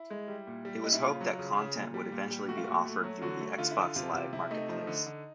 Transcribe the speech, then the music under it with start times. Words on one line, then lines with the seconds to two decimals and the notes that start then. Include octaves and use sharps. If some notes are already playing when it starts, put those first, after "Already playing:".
It was hoped that content would eventually be offered through the Xbox Live Marketplace.
Already playing: E4
0.10 G#3
0.28 G3
0.47 A#2
0.65 G3
0.83 A#2 D#4
0.92 E4
1.01 C#3 F4
1.21 F#3
1.39 C#3
1.57 C#3
1.75 A#2
1.94 G3
2.12 A#2
2.31 G3
2.48 A3 F#4
2.57 F4
2.64 A#2 F#4
2.85 A3
3.04 F#3
3.22 D3 F#4
3.41 A3
3.58 D3 F4
3.71 E4
3.77 D3 F4
3.96 C3 F4
4.13 C3 F4
4.33 C3 E4
4.51 A3 D#4
4.68 F3 D#4
4.87 D3
5.06 D3